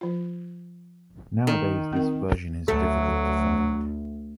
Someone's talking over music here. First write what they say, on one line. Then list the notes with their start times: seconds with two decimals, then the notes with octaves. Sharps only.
Nowadays, this version is difficult to find.
0.01 F3 F4
1.47 D#3
1.93 C4 A#4
2.68 D2 F#3 A3